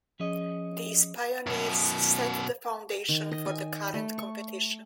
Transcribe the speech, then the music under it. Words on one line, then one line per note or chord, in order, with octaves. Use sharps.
These pioneers set the foundation for the current competition.
F3 C#4 G#4 C#5 D#5
F#2 B2
D#3
D#5
G#5
A3
C#6